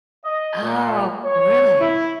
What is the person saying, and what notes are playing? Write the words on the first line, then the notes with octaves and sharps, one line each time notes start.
Oh, really?
D#5
A#2
C#5
E4